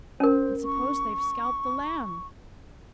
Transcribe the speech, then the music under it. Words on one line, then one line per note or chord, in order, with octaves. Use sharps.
And suppose they scalped the Lamb!'
C#4 A#4 C5
C#6